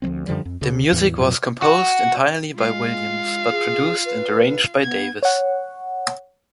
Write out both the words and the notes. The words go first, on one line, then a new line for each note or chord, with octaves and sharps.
The music was composed entirely by Williams but produced and arranged by Davis.
D2 F3 F#3 C4
F#2 D3 F3 G3
F2
D2 C#3
E2 A2 E3
F2 A#2 F#3
F#4
G#3 F4 F5
G#4
B4
B3 G#6
C#5 F#5